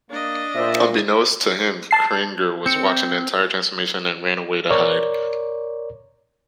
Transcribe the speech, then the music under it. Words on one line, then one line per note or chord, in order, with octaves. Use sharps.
Unbeknownst to him, Cringer was watching the entire transformation and ran away to hide.
A#3 D4 D#5
A#2 C5 D5 E5
A5 C7
C4 C#7
A#4 C#5 D5